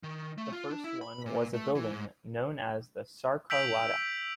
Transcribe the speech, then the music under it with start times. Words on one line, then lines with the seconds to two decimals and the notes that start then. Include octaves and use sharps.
The first one was a building known as the Sarkar Wada.
0.03 D#3
0.38 A3
0.53 F4
0.70 D4
0.84 E4
1.01 B5
1.26 A#2
1.54 A3
1.75 E3
1.92 G#2
3.50 E6 G6 B6 D7 F7 F#7